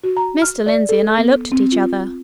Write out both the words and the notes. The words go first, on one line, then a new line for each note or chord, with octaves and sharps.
Mr. Lindsey and I looked at each other.
F#4
A#5
F6
D5
A4
B3
C4
F4